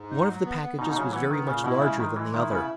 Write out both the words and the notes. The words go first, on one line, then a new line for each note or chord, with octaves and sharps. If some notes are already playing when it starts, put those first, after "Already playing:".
One of the packages was very much larger than the other.
Already playing: G#2
D#4
F#3
B3
B3
B2 D#4
B2
C#3 F#3
E3 B3
D#3 B3
A#2 C#3
B2 E4
C#3 G#3
D#3 G#3
E3 G#3
D#3 E4
C#3 B3